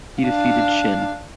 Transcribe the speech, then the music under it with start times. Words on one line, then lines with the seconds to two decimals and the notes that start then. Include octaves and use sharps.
He defeated Shinn.
0.21 D4 F5